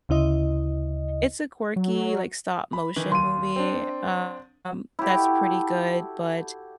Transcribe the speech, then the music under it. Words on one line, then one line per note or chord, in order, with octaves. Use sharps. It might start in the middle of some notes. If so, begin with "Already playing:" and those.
it's a quirky, like, stop-motion movie, um, that's pretty good, but,
D2 C#3 E4 D#5
F#3
B5
D#3 E3
D#2 C6 D#7
C4 D4
E4 F#4 G4 A4